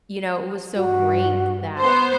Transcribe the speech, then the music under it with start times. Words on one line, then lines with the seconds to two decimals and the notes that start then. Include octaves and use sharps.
you know, it was so great that
0.76 G2 F#4
1.80 B3 C5 C6